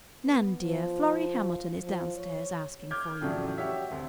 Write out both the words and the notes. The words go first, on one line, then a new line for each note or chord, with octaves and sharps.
"Nan, dear, Florrie Hamilton is downstairs asking for you."
B3
F3
F3
C#5
D6 F6 G6 G#6
E2 A2 C#3 F3 F#3 D4
F#4 G4 C#5 E5 E6
D2 C4